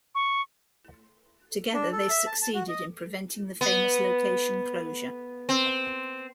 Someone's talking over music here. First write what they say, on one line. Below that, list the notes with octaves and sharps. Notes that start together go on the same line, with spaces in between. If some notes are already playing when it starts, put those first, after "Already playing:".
Together they succeeded in preventing the famous location closure.
C#6
D4
A4
E5
A5
A5
F#4
D#5
B3
C4